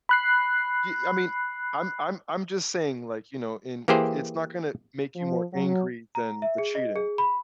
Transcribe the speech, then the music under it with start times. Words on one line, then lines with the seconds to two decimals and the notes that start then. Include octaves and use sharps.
Y I mean, I'm I'm I'm just saying, like, you know, and it's not gonna make you more angry than the cheating.
0.09 B5 F#6 C7
3.88 E3 A#3 G4 G#4 C5
5.16 F3
5.52 F#3
6.15 A#5
6.42 E5
6.58 G#4
6.75 D#5
6.96 G#4
7.18 B5